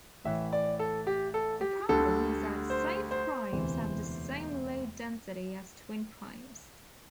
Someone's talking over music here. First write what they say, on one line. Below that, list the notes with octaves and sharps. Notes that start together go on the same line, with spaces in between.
The problem is that safe primes have the same low density as twin primes.
A1 A2 E3 E5
D5
A4
G4
A4
G4
D2 D3 G3 A4
C5
C5
E1 D2 C3 E3